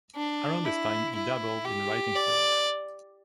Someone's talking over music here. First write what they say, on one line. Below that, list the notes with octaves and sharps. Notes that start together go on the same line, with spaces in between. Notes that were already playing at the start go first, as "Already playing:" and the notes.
Around this time he dabbled in writing plays.
D4
E4
E4
G4
D5